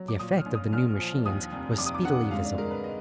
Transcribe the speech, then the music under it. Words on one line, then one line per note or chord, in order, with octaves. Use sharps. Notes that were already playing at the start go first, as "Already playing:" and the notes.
The effect of the new machines was speedily visible.
Already playing: F#3
D6
A#2 D#6
F6
A#1
D#6
A#1 F6
F3
D#2 D#6
F1
F1 D6
D#6
D6
D3 F#5
G#2 F5
D5
G#3 A#4
B4
D#5